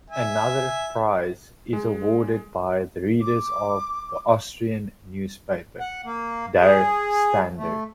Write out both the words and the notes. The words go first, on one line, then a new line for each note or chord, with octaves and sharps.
Another prize is awarded by the readers of the Austrian newspaper "Der Standard".
E5 G#5
G#3
D6
F#5
A#3
G#4
A3